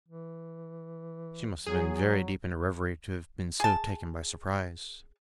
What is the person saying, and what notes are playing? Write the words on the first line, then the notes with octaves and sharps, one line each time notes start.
She must have been very deep in her reverie to have been so taken by surprise.
E3
F#3 G#4
G#4 A5